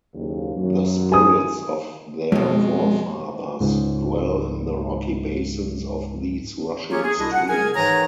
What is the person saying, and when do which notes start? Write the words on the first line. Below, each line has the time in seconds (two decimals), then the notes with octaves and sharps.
The spirits of their forefathers dwell in the rocky basins of these rushing streams.
0.14 F#1 D#2
0.56 F#2
1.12 G#5 D#6
2.32 F2 B2 G#3
3.60 C#2 G#2
6.91 A#3 C#4 F4 G4 G#4 C#5
7.03 G#4
7.18 C2 B2 D4 E4 D#5
7.32 F#5
7.49 G#4 A#4 G#5
7.75 G#2 D#3 E3 G#4 C#5 A#5